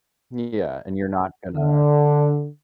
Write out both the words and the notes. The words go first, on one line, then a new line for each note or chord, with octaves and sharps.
Yeah, and you're not gonna
D3